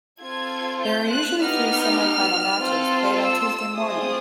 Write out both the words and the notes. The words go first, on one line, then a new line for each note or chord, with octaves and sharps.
There are usually three semifinal matches played on Tuesday morning.
C4 F4 A4 G#6
G6
F#6
B3 D#4 G4 F6
C4 F4 A4
E6
A3 C4 F4 G#4 D#6